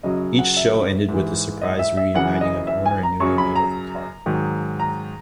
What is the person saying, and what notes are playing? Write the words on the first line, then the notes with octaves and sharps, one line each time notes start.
Each show ended with the surprise reuniting of owner and newly made-over car.
F#2 C#3 F#3 D#5
F#5
E5
G#2 E3
D#5
E5
E5
F#2 C#3 E3 F#5
D#5
E5
G#5
A#5
F#2 C#3 F#3 C#6
B5
A#5
G#2 D#3 F#3
A#5